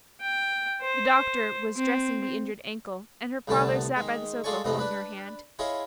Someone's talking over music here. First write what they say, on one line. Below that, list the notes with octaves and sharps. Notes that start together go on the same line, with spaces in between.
The doctor was dressing the injured ankle, and her father sat by the sofa holding her hand.
G5
C5
C4
C2 A2 D3 B3 A5 D6
D#3 G#3
G#3 F4 A4 D5 G#5 C#6
F2 A2 C3 E3 B3 D#5
D4 B4
E4 F4 G#4 C#5 D#5